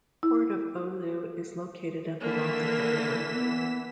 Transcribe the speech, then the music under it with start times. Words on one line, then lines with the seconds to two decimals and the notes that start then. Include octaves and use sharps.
Port of Oulu is located at the mouth of the river.
0.23 E4
2.21 D3 E3 A#3 B6 E7
3.33 B3